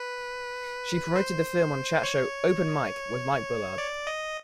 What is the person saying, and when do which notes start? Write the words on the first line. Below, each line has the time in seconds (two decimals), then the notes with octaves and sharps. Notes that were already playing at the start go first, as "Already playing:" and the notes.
She promoted the film on chat show "Open Mike with Mike Bullard".
Already playing: B4
1.16 C5
2.03 C#5
3.78 D5
4.07 D#5